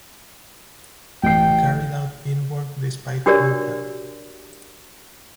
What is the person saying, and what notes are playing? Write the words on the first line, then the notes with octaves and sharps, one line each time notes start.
He carried out field work despite poor health.
A1 G5 C7
D4 F#4 G4 A#4 C#5 D5